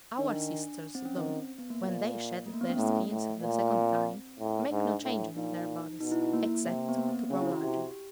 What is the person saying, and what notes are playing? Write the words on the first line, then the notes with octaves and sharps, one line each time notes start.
Our sisters, though, when they shed their skins the second time, make no change in their bodies, except to grow larger.
D#3 D4
C4
C#4
D#3 C4
B3
A#3
A#2
A3
A#3
B3
C#4
A2 A3
A2
A#2
C4
A2
G#2 D4
A2
A#2 D#4
B2 D#4
E4
E4
A#3
C3
B3
A#3
C4
C#3 C#4
E4
F#4
C3 G4